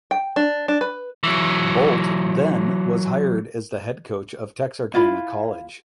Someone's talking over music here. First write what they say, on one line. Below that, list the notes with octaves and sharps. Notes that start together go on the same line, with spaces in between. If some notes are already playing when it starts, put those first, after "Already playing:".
Bolt then was hired as the head coach of Texarkana College.
G5
D4
D4
B4
E3 F#3
E4 F4 F5 B5